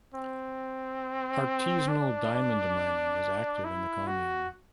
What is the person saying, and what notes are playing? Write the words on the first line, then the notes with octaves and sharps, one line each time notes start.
Artisanal diamond mining is active in the commune.
C4
D4
E4
F#4